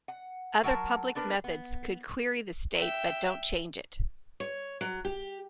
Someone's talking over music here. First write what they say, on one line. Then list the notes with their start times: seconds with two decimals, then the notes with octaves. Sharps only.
Other public methods could query the state but don't change it.
0.08 F#5
0.63 F#3 A#4 F#5 A5 A#5
1.15 B3 D4 A#4 B4
1.44 B3
2.74 E5 G5
4.40 C#5
4.81 F#3
5.05 G4